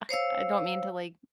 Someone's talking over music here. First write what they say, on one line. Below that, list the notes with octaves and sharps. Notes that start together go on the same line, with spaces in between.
I I don't mean to, like,
C5 C#5 F5 E6